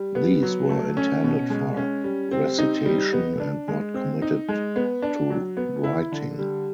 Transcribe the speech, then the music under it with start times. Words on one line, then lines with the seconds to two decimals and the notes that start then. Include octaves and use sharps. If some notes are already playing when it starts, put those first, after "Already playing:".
These were intended for recitation, and not committed to writing.
Already playing: G3
0.15 B3
0.43 F#3
0.69 A3
0.97 C#4
1.24 B2
1.50 G#3
1.77 C#4
2.04 G3
2.31 C4
2.59 D#4
2.85 G3
3.13 B3
3.40 D4
3.68 G#3
3.94 C4
4.22 D#4
4.49 G#3
4.76 B3
5.02 D4
5.30 F#3
5.57 B3
5.84 E4
6.12 D3
6.39 G3